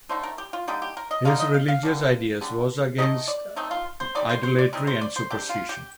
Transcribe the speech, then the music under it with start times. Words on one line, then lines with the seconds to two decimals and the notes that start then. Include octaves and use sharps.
His religious ideas was against Idolatry and Superstition.
0.09 D3 A3 D#4 C5
0.23 A#4
0.38 G4
0.53 F4
0.68 D3 G3 A#3 D#4 G4
0.82 G4
0.97 A#4
1.11 D#5
1.25 D3 G3 A#3 D#4 F5
1.40 D#5
1.54 F5
1.68 F5
1.83 D3 G3 D4
2.41 D3 G3 D4
2.98 D#3 A3 C4 D#4 D#5
3.28 D5
3.56 D#3 A3 C4 D#4
3.71 F4
4.00 C5
4.15 G3 C4 D#4 D5
4.29 C5
4.43 C5
4.59 D5
4.73 G3 C4 D#4 A#4
4.87 C5
5.01 D5
5.16 C5
5.30 C3 G3 D4 G4
5.49 F4
5.69 G4